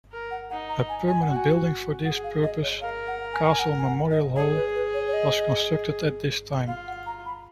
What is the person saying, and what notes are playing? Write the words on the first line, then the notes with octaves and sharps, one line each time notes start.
A permanent building for this purpose, Castle Memorial Hall, was constructed at this time.
A#4
F#5
D#4 F#5
A#5
G#5
G#5
F#5
F#4
G#5
G#4 F#5
F5
D#5
C#5
A#4 F5
F#5
G#5
G#5
F#5
G#5
F#5
D#5
G#4 C#5
B4
B4
C#5
C#5
D#5
F4 F5
F#5
A#5
B5